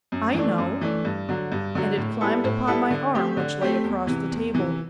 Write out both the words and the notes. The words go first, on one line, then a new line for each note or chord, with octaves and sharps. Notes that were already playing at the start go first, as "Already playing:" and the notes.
"I know." And it climbed upon my arm which lay across the table.
F#2
E3 A3 D4
F#2
E3 A3 D4
G2
D3 F#3
G2
D3 F#3
A2
G3 B3 E4 A4
A2
G3 B3 E4 A4
D3
A3 C4 G4
D3
A3 C4 G4
E2
C3 E3
E2
C3 E3